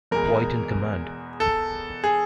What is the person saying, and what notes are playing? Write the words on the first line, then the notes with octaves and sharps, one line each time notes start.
White in command.
E2 B2 G#3 A#4
A4
G#4